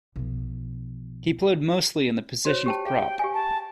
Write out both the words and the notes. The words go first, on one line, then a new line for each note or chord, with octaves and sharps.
He played mostly in the position of prop.
B1 F3
F#4 C5 C#5
G4 G5 A5
G#4 F5 G5
G4 F5 G#5
A5